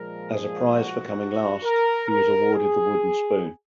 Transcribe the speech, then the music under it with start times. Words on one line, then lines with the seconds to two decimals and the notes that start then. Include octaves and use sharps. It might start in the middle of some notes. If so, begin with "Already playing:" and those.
As a prize for coming last, he was awarded the wooden spoon.
Already playing: A#2 F3 G#3 A#4
0.29 G#4
0.73 F#4
1.64 A#4
2.09 A#4
2.53 G#4